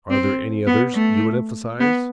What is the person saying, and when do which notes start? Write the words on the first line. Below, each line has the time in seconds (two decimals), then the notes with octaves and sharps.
Are there any others you would emphasize?
0.11 C4
0.67 B3
0.95 A3
1.80 B3